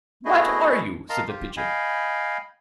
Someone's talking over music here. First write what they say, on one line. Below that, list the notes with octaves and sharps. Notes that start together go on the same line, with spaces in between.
WHAT are you?' said the Pigeon.
A3 B3 E4 F#4 G#4 D#5
A#4 D#5 F5 A5 A#5 C6
F4 G4
D#5 F5 G5 G#5 B5